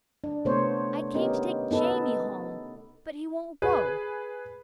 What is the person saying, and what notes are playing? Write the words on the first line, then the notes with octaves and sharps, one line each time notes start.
"I came to take Jamie home, but he won't go."
D4
C3 A3 B3 C5 C#5
B3 C#4 D#4 G4 A#4
B3 D#4 A4 B4
G#4 B4